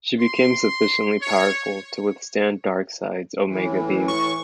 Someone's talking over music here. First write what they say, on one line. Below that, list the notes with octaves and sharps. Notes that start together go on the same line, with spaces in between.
She became sufficiently powerful to withstand Darkseid's Omega Beams.
C6
C#5
A2 E3
C#6